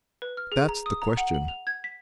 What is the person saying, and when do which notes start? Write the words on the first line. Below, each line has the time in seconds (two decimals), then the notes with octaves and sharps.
That's the question.'
0.22 B4
0.37 F6
0.52 G#4
0.69 A#5
0.86 D#6
1.02 A#5
1.17 F#5
1.34 F#7
1.48 F7
1.67 G#6
1.84 B6